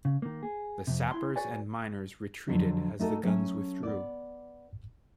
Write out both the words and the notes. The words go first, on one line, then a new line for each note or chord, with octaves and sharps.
The Sappers and Miners retreated as the guns withdrew.
C#3
D#3 A#3
G#4
F2 C3
E4 C6
F#4 G#4 B4 C#5 D5 G#5
F2 D3 F#3
A3 D#4 F#4 A4
F#3 A3 C#4 C#5 G#5
B3 D5